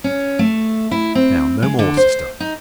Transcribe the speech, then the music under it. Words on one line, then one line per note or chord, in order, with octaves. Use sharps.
Now, no more, sister!
C#4
A3
E4
C4
G#3
D3
C5
D#4